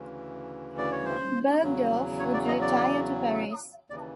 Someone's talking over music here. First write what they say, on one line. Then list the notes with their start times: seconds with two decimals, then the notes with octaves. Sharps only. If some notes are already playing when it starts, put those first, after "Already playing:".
Bergdorf would retire to Paris.
Already playing: D2 C#3 E3
0.78 D5
0.92 C#5
1.05 C5
1.62 E2 C#3 F#3
2.19 C#5
2.34 D5
2.48 D#5
2.62 D5
3.90 D#2 C#3 E3 D5